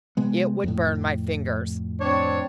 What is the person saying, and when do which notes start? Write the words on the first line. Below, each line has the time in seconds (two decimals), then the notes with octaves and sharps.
It would burn my fingers.
0.17 C3 G#3 B3
0.64 F2 A2
2.00 C4 D4 C#5